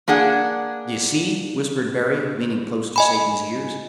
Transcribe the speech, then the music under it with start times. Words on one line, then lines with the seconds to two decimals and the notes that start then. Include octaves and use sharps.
"D'ye see?" whispered Barry, leaning close to Satan's ears.
0.08 A#3 D4 G#4 F#5
2.96 D#5 G#5 B5